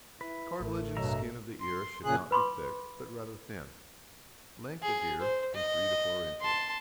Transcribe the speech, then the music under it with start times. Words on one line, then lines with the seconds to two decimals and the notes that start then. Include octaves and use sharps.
The cartilage and skin of the ear should not be thick, but rather thin. Length of ear, from three to four inches.
0.21 E4 B4
0.60 A1 A2 A3 A#4
0.97 G2 B2 F#3 E5 A#5
1.61 C6
2.04 A#2 C#3 G#4 F#6
2.31 B4 B5 C6 D6
4.82 G#4
5.20 C5
5.55 D#5
6.41 A5 C6